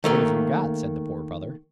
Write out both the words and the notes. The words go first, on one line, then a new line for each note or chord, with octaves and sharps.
"What have you got?" said the Poor Brother.
D#3 A3 A#3